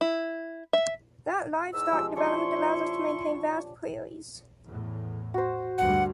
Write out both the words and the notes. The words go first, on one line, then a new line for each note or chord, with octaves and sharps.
That livestock development allows us to maintain vast prairies.
E4
E5
E2 G#2 E6
F3 G#3 G4
C#4 D4 E4 C5 C6 C#6
E2 A2
F#4 C5
D2 G2 F#5